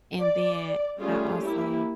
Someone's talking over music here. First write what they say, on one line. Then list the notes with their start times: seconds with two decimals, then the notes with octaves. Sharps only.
And then I also,
0.20 D5
0.99 G3 A3 C#4 F4 G#4
1.42 A#3 E4 G4